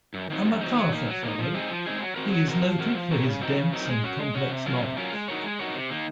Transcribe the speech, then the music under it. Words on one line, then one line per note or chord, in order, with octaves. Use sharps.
A MacArthur Fellow, he is noted for his dense and complex novels.
F#2
D#3 F#3 C4 D#4
F#2
D#3 F#3 C4 D#4
F#3
A#3 D#4
F#3
A#3
D#4
F3
G#3 C4 D#4 G#4
F3
G#3 C4 D#4 G#4
F#3
C4 F#4 A#4
F#3
C4 F#4 A#4
F3
C4 F#4 A#4
F3
C4 F#4 A#4
C#3
F#3 C4 D#4 A#4
C#3
F#3 C4 D#4 A#4
G#3
C#4 F#4
G#3
C#4 F#4
C3
F#3 C#4 F4 A#4
C3
F#3 C#4 F4 A#4
G#3
D#4 F#4 A#4 C#5
G#3
D#4 F#4 A#4 C#5
C3
D#3 A#3